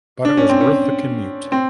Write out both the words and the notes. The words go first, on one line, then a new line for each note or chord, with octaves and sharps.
But it was worth the commute.
D4
C#4
C4
C#4
C4